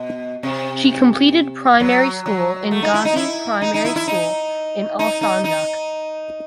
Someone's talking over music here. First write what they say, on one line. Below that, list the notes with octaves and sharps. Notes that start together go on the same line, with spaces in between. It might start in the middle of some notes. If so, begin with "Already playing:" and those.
She completed primary school in Gazi Primary School in Alsancak.
Already playing: B2
C3
F#3
F#3
A3
D#4
E4
D#4
E4
D#4
D#4
E4
E4
D#4
D#4
D#4
D#4